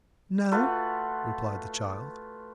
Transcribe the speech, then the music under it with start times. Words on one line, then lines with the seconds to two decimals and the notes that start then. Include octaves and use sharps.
"No," replied the child.
0.52 A3 F4 F#4 B4